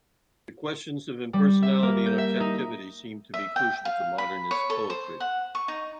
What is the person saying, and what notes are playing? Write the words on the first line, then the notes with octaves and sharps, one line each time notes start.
The questions of impersonality and objectivity seem to be crucial to Modernist poetry.
G3
E5
A#3
G6
E5
D#4
E5
G5
F5
B5
C#5
A4
C5
F#5
C#6
D#4